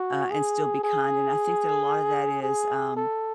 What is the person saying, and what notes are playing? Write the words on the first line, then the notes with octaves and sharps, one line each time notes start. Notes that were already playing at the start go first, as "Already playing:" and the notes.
uh, and still be kind and I think that a lotta that is, um,
Already playing: F#4
G#4
G#4
G#4
A4